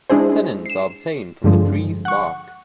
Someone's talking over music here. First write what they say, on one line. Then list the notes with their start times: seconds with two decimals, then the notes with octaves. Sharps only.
Tannins are obtained from the trees' bark.
0.10 G#3 D4 E4 G#4 C5
0.66 C7 E7
1.44 G2 D3 F3 G#3
2.05 F#5 C#6